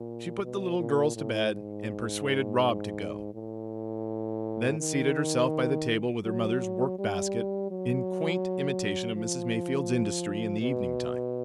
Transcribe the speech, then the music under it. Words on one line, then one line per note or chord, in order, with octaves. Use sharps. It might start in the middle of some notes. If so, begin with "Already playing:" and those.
She put the little girls to bed and persuaded Rob to go; then seated herself by the table with her mother's work-basket, in quaint imitation of Mrs. Mayfield's industry in the evening time.
Already playing: A#2
B2
A#2
A2
G#2
A2
D#3
F#3
G3
F#3
F3
B2